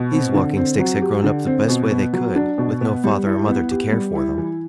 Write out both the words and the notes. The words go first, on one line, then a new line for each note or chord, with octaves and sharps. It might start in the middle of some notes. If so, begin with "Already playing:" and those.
These Walking-Sticks had grown up the best way they could, with no father or mother to care for them.
Already playing: B2
C4
D3
C4
F#3
G4
D3
C4
B2
B3
F#3
D4
B2
B3
G3
E4
B3
G4
G3
E4
E3